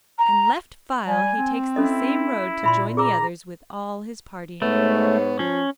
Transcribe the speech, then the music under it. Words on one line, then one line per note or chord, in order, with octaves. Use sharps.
And left file! he takes the same road to join the others with all his party.
A#5
G3 G#5
C4
C#4 E4 A4 D#5
A#2 E5 B5 C6
G#4 A#5 D6 E6
G#2 A3 B3 C#5
F3 C#4